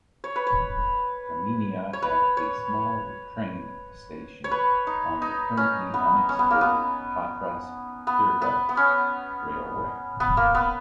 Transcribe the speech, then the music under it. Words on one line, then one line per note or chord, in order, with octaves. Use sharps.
Kaminia had a small train station on the currently unexploited Patras-Pyrgos railway.
C#5
B4
C#5
C#5
B4
C#5
C#5
B4
D#4
D#4
C#4
B3
C#4
B3
A#3
B3
B3
B3
B3
C#4
B3
A#3
B3